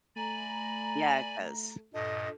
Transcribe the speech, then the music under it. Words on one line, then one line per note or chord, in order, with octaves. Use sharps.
Yeah, it does.
A3 D5 G#5 A#5 B5
G2 A#2 A4 D#5